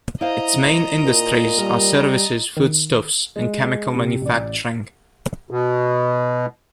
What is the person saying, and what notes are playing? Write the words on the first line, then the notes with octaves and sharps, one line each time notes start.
Its main industries are services, foodstuffs and chemical manufacturing.
E4 C5 D#5 F5 A#5
A#2
G3 A#4
D#3
G#3
C3
A1 D5
B2